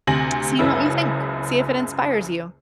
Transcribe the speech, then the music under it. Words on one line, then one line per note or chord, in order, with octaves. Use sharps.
seeing what you think. See if it inspires you.
D2 C3 G#5 A#6 F#7
F#1 C#2 F#2 C#3 E4 E6